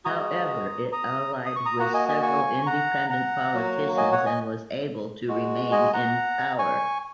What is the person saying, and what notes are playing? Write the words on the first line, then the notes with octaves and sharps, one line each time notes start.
However, it allied with several independent politicians and was able to remain in power.
G#3 F#4 A#5 D#6
A#5 D#6
D#6
C#6
A#5 D#6
A#3 F#4 F#5 A#5
D#5 G#5
D#5 G#5
G#5 C#6
C#6
F#5 A#5
F#5 A#5
F#3 A#3 F#4
D#5 G#5
C#5 F#5
D#5 G#5
G#3 F#4
D#5 G#5
F#5 A#5
G#5 C#6